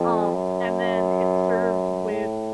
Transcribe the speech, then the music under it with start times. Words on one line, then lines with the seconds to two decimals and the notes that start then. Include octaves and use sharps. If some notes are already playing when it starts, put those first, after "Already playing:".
Um, and then, it's served with
Already playing: F2
0.34 F#2
2.11 A2